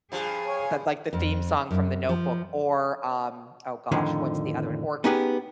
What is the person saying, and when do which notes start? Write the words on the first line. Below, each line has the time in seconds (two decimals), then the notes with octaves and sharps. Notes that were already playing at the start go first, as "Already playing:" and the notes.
but, like, the theme song from The Notebook or, um, oh, gosh, what's the other one, or c
0.12 G2 F3 G#4
0.47 C#5 G#5
1.13 F2
1.71 F#2
2.09 F3
3.92 F2 A2 D3 D#3 F3
5.04 B3 C#4 D#4 G4 G#4 B4